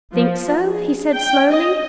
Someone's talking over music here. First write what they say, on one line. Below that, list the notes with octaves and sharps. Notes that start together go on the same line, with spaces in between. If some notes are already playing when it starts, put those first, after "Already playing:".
"Think so?" he said slowly.
F3
G#4
G5
D#5